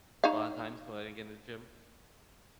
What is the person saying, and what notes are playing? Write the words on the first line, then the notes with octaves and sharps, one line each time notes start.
A lotta times when I didn't get in the gym.
D#4 C#5 F5